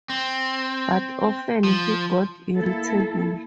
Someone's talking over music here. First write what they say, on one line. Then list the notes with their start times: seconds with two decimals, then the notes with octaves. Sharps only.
But often he got irritable.
0.10 C4
1.64 F3
2.55 A#3 E4 A4